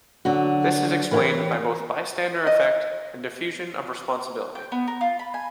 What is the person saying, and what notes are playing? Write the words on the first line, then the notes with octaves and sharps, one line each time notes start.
This is explained by both bystander effect and diffusion of responsibility.
D3 F#3 F#4
E3 A#4 C#5 F#5 G5
D#5
G5
B3
A#4
F4
B5
G#5